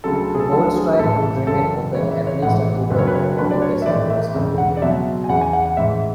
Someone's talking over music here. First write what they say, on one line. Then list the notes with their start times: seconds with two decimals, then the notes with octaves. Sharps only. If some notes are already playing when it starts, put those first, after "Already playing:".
The Gold Strike would remain open, at least until the new hotel-casino was completed.
0.04 D2 C#3 F#3 A4
0.16 A4
0.35 G#4
0.40 A4
0.51 D2 D3 F#3 A4
0.76 G#4
0.99 A1 G#2 E3 A4
1.47 F#1 F#2 E3 A4
1.95 C#2 C#3 E3 C#5
2.11 E5
2.27 C#5
2.42 A1 G#2 E3 F#5
2.90 F#1 F#2 D3 F#3 B4
2.99 C#5
3.07 B4
3.15 C#5
3.23 B4
3.38 D2 D3 F#3 B4
3.51 D5
3.62 C#5
3.82 E5
3.86 G#1 G#2 E3 D5
4.10 E5
4.34 E1 E2 C#3
4.58 F#5
4.77 D5
4.82 C#2 B2 F#3 E5
5.24 G#5
5.29 E2 C#3 E3 F#5
5.41 G#5
5.53 F#5
5.65 F#5
5.77 A1 G#2 E3 E5